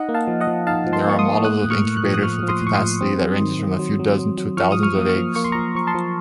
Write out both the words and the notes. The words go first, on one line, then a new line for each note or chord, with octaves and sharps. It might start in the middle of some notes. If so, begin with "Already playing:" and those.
There are models of incubators with a capacity that ranges from a few dozen to thousands of eggs.
Already playing: D#4 D#5 F#5
A#3
F5 A5
F3
D#5 F#5
F3
D#4 F5 A5
F3
A5 C6
A#3 C#6
C6 D#6
A#3
A3 D#6 F#6
A2
C#6 F6
A2
F#6
F3
D#6 F#6
F3 C#6 F6
F3
C6 D#6
A2
C#6
C6 D#6
F3
C4
F#3
D#3
D#3
F#3
F#3
F#3
F#3
F3 C#6 F6
D#6
F3
C#6 F6
A#3 D#6
C#6 F6
F3
A#3 C#6
C6
A#5 C#6
F3
F3 C#6
A5 C6
F3